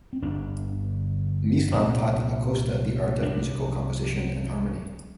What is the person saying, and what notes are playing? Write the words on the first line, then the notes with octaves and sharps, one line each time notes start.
Mislan taught Acosta the art of musical composition and harmony.
C4
G1 G2 D3 D4
C2 A#2 C4
C2 C3 D4